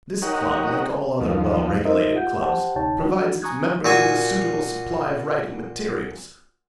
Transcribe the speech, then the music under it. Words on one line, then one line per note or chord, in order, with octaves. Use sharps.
This club, like all other well-regulated clubs, provides its members with a suitable supply of writing materials.
D#4 G4 A#4 C#5 F#5
D#2 F3
G#3 D#4 A#4 C5 D#5 E5
F4 G4 F#5 G6
G4 C5 F#5 G5 A5
D2 C3 D#4 C#5 G5 A5
G#3 D4 F#4
G#5 A#5 C#6 D#6 F#6 G#6
A#2 F#4 G#5